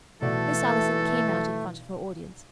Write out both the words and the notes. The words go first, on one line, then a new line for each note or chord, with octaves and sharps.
Miss Allison came out in front of her audience.
B1 E3 A3 F#4 A4 D5